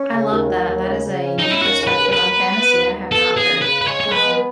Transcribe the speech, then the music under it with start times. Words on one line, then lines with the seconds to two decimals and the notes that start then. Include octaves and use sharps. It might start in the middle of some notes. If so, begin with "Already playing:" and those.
I love that, that is a new perspective on fantasy I have not heard, um.
Already playing: C#4
0.13 C#3
0.32 D#2
0.50 F#3
0.68 D#2
0.88 C#3
1.06 C#3
1.24 C#4
1.38 C#4 D#4
1.50 E4
1.62 D#2 F#4
1.81 C#3
1.87 B4
1.99 D#2
2.12 B4
2.19 F#3
2.38 B3
2.56 B3
2.74 D#2
2.94 B3
3.12 B3 A4
3.31 D#2
3.37 G#4
3.50 C#3
3.62 B4
3.68 C#3
3.81 B4
3.87 G#3 C#5
4.00 C#5
4.05 G#3
4.12 B4
4.24 B3